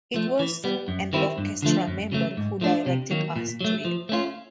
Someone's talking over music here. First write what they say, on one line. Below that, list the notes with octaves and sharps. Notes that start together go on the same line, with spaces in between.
It was an orchestra member who directed us to it.
F3 A3
E3
G3 B3
F#2
D#3 G3 C4 E4
G2
D3 F3 A3
F#2
C#3 F#3 A3
G#2
F3 A3 D4
C3
D#3 F#3 A#3
A#2
F#3 A3
F3
A3 C#4 F4